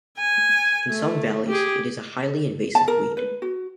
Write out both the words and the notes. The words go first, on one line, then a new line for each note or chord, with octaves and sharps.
In some valleys, it is a highly invasive weed.
G#5
A3
G4 G#4
A5
A#4
B4
F#4